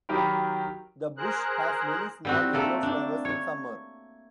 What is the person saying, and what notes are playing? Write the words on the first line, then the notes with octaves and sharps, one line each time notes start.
The bush has many small yellow flowers in summer.
D#3 F#3 G4 A#4 B5
G#4 A#4 C5 F#6
G3 C4 F#4
A3 A#3 A4
D4
C#5